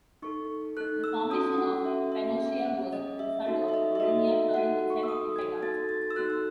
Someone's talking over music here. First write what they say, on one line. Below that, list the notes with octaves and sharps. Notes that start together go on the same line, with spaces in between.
The formation of Pannotia was the result of Rodinia turning itself inside out.
D#4 A4 C#6
D#4 A4 F#6
E6
C#4 F#4 A4 D#6
F#5
C#4 F#4 A4 E5
E5
C#4 G#4
C#4 G#4 D#5
E5
D#4 F#4 A4 E5
E5
D#5
E5
D#4 F#4 A4 D#5
E5
D#4 F#4 A4 F#5
C#6
E6
D#4 F#4 A4 D#6
G#6
B3 D#4 F#4 A4 A6
A6
E6
B3 D#4 F#4 A4 F#6
E6